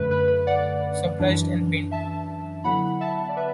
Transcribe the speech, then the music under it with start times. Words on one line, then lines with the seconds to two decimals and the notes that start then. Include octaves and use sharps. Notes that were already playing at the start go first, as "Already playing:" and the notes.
Surprised and pained.
Already playing: F#2 D3 A3 B4
0.11 B4
0.28 B4
0.47 D5 F#5
1.19 F#2 E3 D4
1.91 E5 A5
2.64 D3 F#3 B3 E4 F#5 B5
3.01 E5 A5
3.29 D5
3.36 B4 E5